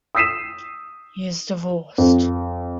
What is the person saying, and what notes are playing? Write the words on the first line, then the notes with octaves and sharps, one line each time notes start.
He is divorced.
D#6 E6 B6 C7 D#7 E7
F2